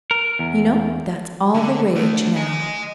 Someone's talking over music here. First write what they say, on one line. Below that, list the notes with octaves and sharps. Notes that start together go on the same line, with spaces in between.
You know that's all the rage now.
A#4
E2
D3
A3 D4
D#5 G#5